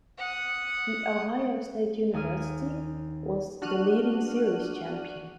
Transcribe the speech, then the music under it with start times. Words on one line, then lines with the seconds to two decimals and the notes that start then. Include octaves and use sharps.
The Ohio State University was the leading series champion.
0.18 F#5 D#6
2.13 D#2 G#5 D#6 F6 D#7
3.62 D4 F#4 F6 F#6 D#7